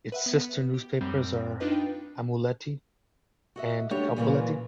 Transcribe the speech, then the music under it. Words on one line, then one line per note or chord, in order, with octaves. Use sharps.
Its sister newspapers are "Aamulehti" and "Kauppalehti".
B4 E5 F#5
B3
G4
F#2 G3 C4
D4 D#4 F4 B4 D#5
G5
F#4 D#5 E5
G3 A3 D4 F#4 G4 C#5
A#2 C#3 E3 F#3 G3 A#3